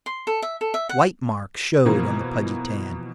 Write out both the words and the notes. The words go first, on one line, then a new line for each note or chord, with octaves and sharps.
White marks showed on the pudgy tan.
C6
A4
E5
A4
E5
F#5
B2 E3 F3 A#3